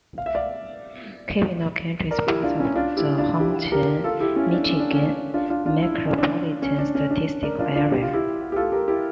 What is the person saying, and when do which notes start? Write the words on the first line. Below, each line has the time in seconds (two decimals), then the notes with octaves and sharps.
Keweenaw County is part of the Houghton, Michigan, Micropolitan Statistical Area.
0.18 F5
0.26 E5
0.35 D5 F5
2.11 A#4 D5
2.27 E4 G4
2.43 D4 F4
2.60 C#4 E4
2.76 D4 F4
2.96 E4 G4
3.18 D4 F4
3.40 E4 G4
3.72 G4 A#4
4.04 F4 A4
4.20 E4 G4
4.36 C#4 E4
4.53 D4
4.70 C#4
4.80 D4
4.91 C#4
5.02 D4
5.34 D4 F4
5.50 D4 F4
5.66 D4 F4
5.82 E4
5.94 D4
6.06 C#4
6.18 D4
6.62 C#4
6.79 D4
6.95 C#4
7.11 D4
7.43 A#4 D5
7.59 D4 F4
7.75 D4 F4
7.91 G4
8.02 F4
8.13 E4 G4
8.52 G4
8.56 F4 A4
8.72 G4 A#4
8.88 E4 G4